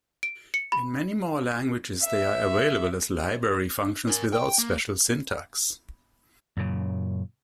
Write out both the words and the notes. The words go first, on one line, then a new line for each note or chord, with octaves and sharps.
In many more languages, they are available as library functions without special syntax.
D7
C#7
B5
E5
A#4 G#5
G5
A#3
F#2 A#2 C#3